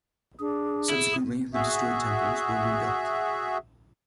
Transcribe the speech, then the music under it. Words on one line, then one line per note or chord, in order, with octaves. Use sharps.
Subsequently, the destroyed temples were rebuilt.
D4 G#4
E4
F#4 G#4 E5